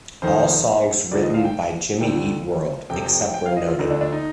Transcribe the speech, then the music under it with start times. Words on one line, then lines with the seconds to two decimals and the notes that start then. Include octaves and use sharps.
All songs written by Jimmy Eat World, except where noted.
0.22 F1 F2 D#3 C5
1.11 D2 D3 F3 D5
1.23 D#5
1.34 F5
1.45 G5
2.01 D2 D3 F3 G5
2.90 F1 F2 C3 G5
3.05 G5
3.20 G5
3.34 G5
3.46 F5
3.57 D#5
3.68 F4
3.79 D2 D3 F3 D#4
3.91 D4
4.01 D4
4.12 D#4